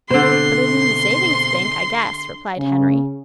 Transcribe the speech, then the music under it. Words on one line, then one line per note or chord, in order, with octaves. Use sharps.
"Put it in the savings bank, I guess," replied Henry.
B2 D3 C4 C5 C6
C#3